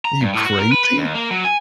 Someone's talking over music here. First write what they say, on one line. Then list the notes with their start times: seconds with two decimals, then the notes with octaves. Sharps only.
Are you crazy?"
0.05 A#5
0.22 G2
0.34 A2
0.46 F#4
0.59 A#4
0.72 B4
0.84 B4
0.98 D#2
1.15 A#3
1.31 F#3
1.44 G#5